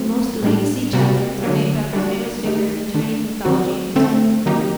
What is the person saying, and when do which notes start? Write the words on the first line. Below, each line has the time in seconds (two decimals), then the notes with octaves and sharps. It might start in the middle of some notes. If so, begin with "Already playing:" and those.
Most "Liezi" chapters are named after famous figures in Chinese mythology and history.
Already playing: F#3 A3 C4
0.42 A2 G3 D4
0.93 C3 G3 A#3 F#4
1.43 D3 F#3 A#3
1.93 G3 D4 F#4
2.44 D#3 A3 D#4 G4
2.95 D#3 A3 D4
3.45 D#3 F#3 C4 F#4
3.95 D3 A3 C4
4.46 D#3 F#3 A#3 D#4 G4